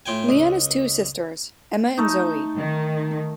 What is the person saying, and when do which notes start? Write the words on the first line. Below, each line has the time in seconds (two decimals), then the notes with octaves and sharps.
Leon has two sisters, Emma and Zoe.
0.06 A2 F4 G5 G#5
0.29 C#2
1.97 A3 D#4
2.56 D#3